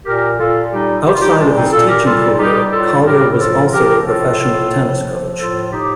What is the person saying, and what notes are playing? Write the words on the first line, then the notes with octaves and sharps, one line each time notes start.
Outside of his teaching career, Collier was also a professional tennis coach.
A#2 G4 A#4
A#2 F4 A4
G3 D#4 G4
G3 G4
F4
D#4 G4
A#2 D4 F4
C4 D#4
A#2 F4 A4
G4 A#4
G3 F4 A4
G3 D#4 G4
A2 F4 A4
A2 G4 A#4
F3 F4 A4
F3 G4 A#4
A2 F4 A4
A2
F3
F3
A2 F4 A4
A2 D#4 G4